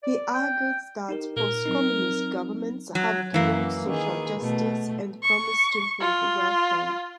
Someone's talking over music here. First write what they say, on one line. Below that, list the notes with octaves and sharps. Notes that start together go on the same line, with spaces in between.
He argued that post-Communist governments have ignored social justice and promised to improve welfare.
D5
G5
D#4 G4 A#4
A#2 A#4
F#3 C4 D#4
F#3
F#2 E3 A#3
D#3 G#4
B2 A3
C#6
F4